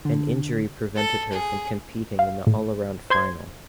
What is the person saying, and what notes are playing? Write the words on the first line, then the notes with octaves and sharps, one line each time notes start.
An injury prevented her from competing in the all-around final.
D3
A4
G#4
F5
A2
C5 C6 G#6